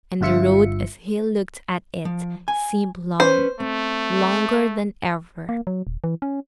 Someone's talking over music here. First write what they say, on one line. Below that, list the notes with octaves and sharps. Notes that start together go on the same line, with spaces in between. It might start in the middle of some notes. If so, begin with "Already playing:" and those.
And the road, as he looked at it, seemed long--longer than ever.
G1 G2 F4 E5 C#7
F3
G#5
C#4 B4 C5
A3 C4
A#3
F#3
D#1
E3
C#4